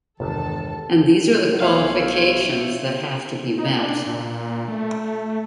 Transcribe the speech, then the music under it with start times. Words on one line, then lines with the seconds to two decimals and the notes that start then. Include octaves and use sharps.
And these are the qualifications that have to be met.
0.20 G1 E2 C3 D#3 G#3 A4 A5
1.60 B1 C5 C#5 E5 F5 F6
3.58 D#4
3.78 D4
4.07 A#2
4.68 A3